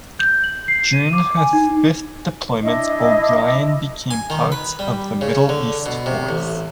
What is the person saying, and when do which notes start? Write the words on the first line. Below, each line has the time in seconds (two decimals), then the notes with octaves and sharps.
During her fifth deployment, "O'Brien" became part of the Middle East Force.
0.19 G6
0.44 F#7
0.68 C7
0.93 D#7
1.13 D6
1.37 G#5
1.53 D#4
2.62 D4 E4 D#5
4.11 G#5
4.30 D#3
4.52 B4
4.79 G3
5.21 C#3
5.49 D3
5.86 B2
6.06 C3
6.29 A1